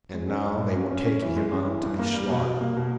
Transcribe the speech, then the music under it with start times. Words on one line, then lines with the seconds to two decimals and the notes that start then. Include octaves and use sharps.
And now they were taking him out to be slaughtered.
0.14 G#3
0.28 C#4
0.44 G2
0.60 G2
0.75 C#4
0.91 C#4
1.06 C#4
1.21 E3
1.36 G#3
1.52 C#4
1.67 E3
1.83 G2
1.99 A#3
2.14 G3
2.30 B2
2.45 B2
2.61 A#3
2.76 B2